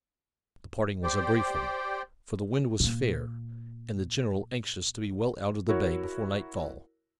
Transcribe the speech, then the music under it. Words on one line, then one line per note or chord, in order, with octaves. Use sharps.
The parting was a brief one, for the wind was fair, and the general anxious to be well out of the bay before nightfall.
G4 C5 D5 G5
A#2 A#3
E4 F#4 A#4 C#5